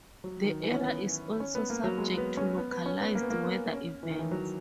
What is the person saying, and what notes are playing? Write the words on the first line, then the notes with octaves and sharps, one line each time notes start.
The area is also subject to localized weather events.
F#3
D#3
E3
C#4
B3
C#4
B3
A#3
F#3
G#3
B3
C#4
B3
B3
C#4
B3
A#3
B3
A#3
B3
C#4
E3
D#3
E3
F#3